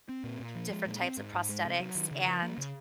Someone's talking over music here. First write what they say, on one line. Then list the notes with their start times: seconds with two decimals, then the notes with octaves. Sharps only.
different types of prosthetics and,
0.09 C4
0.24 A#2
0.40 A#2
0.55 F3
0.71 G#3
0.86 A#2
1.01 C4
1.17 G#2
1.34 G#2
1.49 G#3
1.64 C3
1.80 F#3
1.95 D#3
2.11 C#3
2.26 F3
2.42 A#3
2.58 C#3